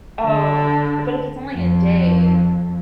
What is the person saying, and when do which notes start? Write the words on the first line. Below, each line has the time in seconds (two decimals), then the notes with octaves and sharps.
oh, but if it's only a day.
0.22 D3
1.54 F2